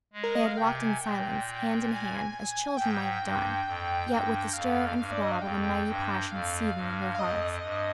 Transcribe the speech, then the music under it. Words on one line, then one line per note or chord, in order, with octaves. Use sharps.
They had walked in silence, hand in hand, as children might have done, yet with the stir and throb of a mighty passion seething in their hearts.
G#3
A#4
D#5
F5
C3 G5
G#5
A#2 G5
G#5
G#2 G5
G2
F2
G2
F2 F5
G2
D5
D#5
F5
F2 G5
G2
F2 F5
G2
F5
F2 D#5
G2